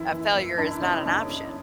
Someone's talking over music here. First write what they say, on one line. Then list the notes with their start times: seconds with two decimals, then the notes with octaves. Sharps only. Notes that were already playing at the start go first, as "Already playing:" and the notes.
uh, failure is not an option.
Already playing: F#2 E3 E4
0.12 E3
0.35 F#2
0.58 F#2 D4 E4
0.81 C#3 C#4 D#4
1.05 F#2 D4
1.28 F#2